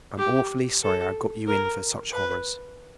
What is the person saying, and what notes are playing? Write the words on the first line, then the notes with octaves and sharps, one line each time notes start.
I'm awfully sorry I got you in for such horrors.
G4
A4
A#4
B4